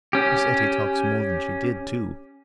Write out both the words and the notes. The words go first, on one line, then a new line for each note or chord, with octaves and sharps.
Miss Etty talks more than she did, too.
C#4 G4